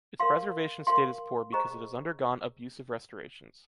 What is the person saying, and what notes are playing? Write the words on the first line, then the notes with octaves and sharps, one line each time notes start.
Its preservation state is poor because it has undergone abusive restorations.
A#4 F5 C6
A#4 F5 C6
G#4 C5 D#5 A#5 C#6